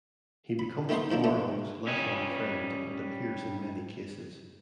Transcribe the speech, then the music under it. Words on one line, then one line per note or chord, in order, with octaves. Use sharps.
He becomes Poirot's lifelong friend and appears in many cases.
B5
D#3 A3 B3 D#4 C6
G#2 F3 A#3 D4
A#2 A3
G3 C#4 D#5 G#5